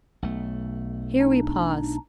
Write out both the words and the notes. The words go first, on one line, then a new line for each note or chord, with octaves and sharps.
Here we pause.
B1 A3
D4 D#4